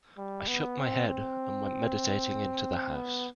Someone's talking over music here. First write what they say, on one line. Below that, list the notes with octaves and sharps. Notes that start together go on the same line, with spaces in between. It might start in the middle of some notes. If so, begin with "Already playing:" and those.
I shook my head, and went meditating into the house.
G3
B3
C4
C4
B3